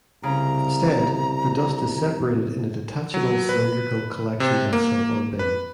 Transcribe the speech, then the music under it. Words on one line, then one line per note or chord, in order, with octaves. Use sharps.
Instead, the dust is separated in a detachable cylindrical collection vessel or bin.
C2 C#3 A#5
F#3
B4
C3
A#3
B4